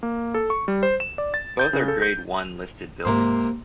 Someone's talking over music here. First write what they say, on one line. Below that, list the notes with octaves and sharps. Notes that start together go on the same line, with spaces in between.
Both are grade one listed buildings.
A#3
A4
C#6
G3
C5
E7
D5
A6
G6
C#3
A4
G6
G#2 C3 A#3 C5